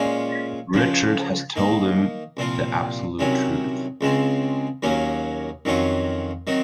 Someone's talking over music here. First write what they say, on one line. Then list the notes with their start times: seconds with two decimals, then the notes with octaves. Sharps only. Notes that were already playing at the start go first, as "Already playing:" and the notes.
Richard has told him the absolute truth.
Already playing: A#2 G#3 C#4 F4
0.74 C#2 C#3 F3
1.56 D#3 A#3 D#4
2.37 C2 A#2 F3 C4 F4
3.19 C2 C3 D#3 F#3 C#4
4.01 C#2 C#3 G#3 C4
4.83 D#2 D#3 F#3 A#3 C#4
5.65 F2 D#3 F#3 C#4 F4
6.47 D#3 F#3 C4 D#4